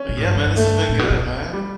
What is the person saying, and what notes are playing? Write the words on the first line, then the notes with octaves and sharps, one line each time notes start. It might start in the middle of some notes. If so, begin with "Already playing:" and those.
But, yeah, man, this has been good, man.
Already playing: C#4
B2
A2
G2
F#2
G2
A3
A2
B2
B2
G3